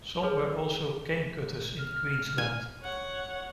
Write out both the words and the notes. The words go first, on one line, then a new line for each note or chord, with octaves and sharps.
Some were also cane-cutters in Queensland.
G#4 B4 C#5
F6
G#5
C#5 F#5